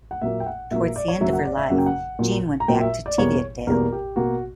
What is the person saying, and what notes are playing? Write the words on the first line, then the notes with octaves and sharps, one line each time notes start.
Towards the end of her life, Jean went back to Teviotdale.
F#5
A#2 F#3 A#3 E5
G5
F#5
A#2 F#3 A#3 E5
E5
D5
C#5
F#2 C#3 F#3 A#3 E5
F#5
D5
E5
F#2 C#3 F#3 A#3 F#5
G5
F#5
A#2 F#3 A#3
A#5
A#2 F#3 A#3 G5
E5
D5
E2 B2 G3 A#3 C#5
E2 B2 G3 A#3 A#4
G4
B2 A#3 F#4